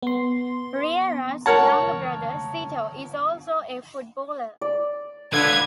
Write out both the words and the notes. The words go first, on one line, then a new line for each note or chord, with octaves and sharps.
Riera's younger brother, Sito, is also a footballer.
B3 C6
A#4 C#5 F#5 A5
D5
D3 F4 B4 G#6